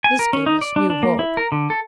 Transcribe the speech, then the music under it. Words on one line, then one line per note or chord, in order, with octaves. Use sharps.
This gave us new hope.
G#5
A#4
C#4
D#4
D5
D4
D4
A#3
E4
A#4
D3
A4